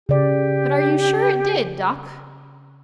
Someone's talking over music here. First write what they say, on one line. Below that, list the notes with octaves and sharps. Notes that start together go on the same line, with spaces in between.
"But are you sure it did, Doc?"
C#3 G4 D5